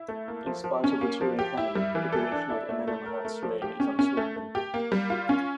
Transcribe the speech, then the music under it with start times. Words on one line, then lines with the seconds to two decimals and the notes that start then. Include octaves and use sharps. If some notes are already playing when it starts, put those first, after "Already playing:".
In spite of the Turin canon, the duration of Amenemhat's reign is uncertain.
Already playing: E4
0.08 A3
0.28 A#3
0.46 F3
0.64 F3
0.84 C#4
1.01 A#3
1.21 F3
1.39 G4
1.57 E4
1.75 G3
1.95 E3
2.12 A4
2.32 D4
2.50 E4
2.69 A3
2.87 A3
3.06 A#4
3.25 A3
3.43 F3
3.62 G4
3.80 C#4
3.99 C#4
4.17 A3
4.36 A3
4.55 G4
4.74 A#3
4.92 G3
5.10 F4
5.29 C#4